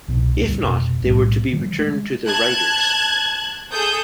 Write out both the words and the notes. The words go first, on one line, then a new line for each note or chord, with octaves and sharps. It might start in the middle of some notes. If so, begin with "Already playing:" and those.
If not, they were to be returned to their writers.
C2 B2
D2 A#2 G3
F1 B2
B1 A2 G3
D#3 F3 G3
G#3 A3
A5 F#6 G#6
G#4 A4 D#6 G6